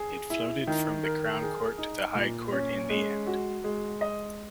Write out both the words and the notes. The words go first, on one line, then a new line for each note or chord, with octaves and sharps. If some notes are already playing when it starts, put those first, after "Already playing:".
It floated from the Crown Court to the High Court in the end.
Already playing: G#4
E4
D#3
A#4
G#4
D#4
A#2
C#4
G#3
F#4
G#3
D#5